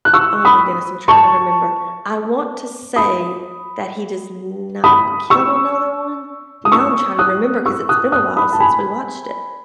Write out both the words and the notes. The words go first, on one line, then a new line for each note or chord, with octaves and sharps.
Oh my goodness, I'm trying to remember. I want to say that he does not kill another one. Now I'm trying to remember, 'cause it's been a while since we watched it.
F#6
C#6 E6
B5 D#6
A5 C#6
B5 D#6
B5 D#6
C#6 E6
D#6
C#6 E6
D#6 F#6
C#6 E6
D#6 F#6
D#6 F#6
B5 D#6
A5
G#5 B5